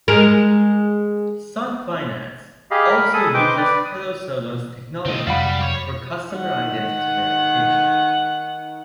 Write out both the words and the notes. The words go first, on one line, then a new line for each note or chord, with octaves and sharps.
Sun Finance also uses Hello Soda’s technology for customer identity verification.
G#3 A#4
G4 G#4 D#5 F5 B5
A#4 B5
G#4 A4 B5 D#6
B4 C5 D#5 G5 D6
B4 D5
D#6
D3 A3 C4 D#5
F2 C3 F#3 G3 F5 F#5 B5
C#5
D#3 F#5